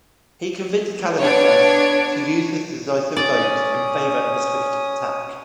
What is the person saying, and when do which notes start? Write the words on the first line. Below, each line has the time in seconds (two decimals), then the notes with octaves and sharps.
He convinced Callimachus to use his decisive vote in favor of a swift attack.
1.20 B3 D4 C#5 D5 G#6 D7
3.16 C#4 D5 D#6